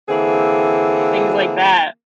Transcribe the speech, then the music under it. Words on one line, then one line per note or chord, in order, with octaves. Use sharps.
things like that.
D3 E3 A#3 C4 G#4